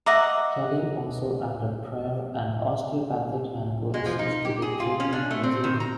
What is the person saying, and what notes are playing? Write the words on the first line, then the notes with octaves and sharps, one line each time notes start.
Kelley also added prayer and osteopathic manipulations to his treatment regime.
D#5 E5 F#5 A#5 D6 A#6
G#3
F3
D#4
G4
G#4
F4
C#4
D4
A3
C4
D#3
A#5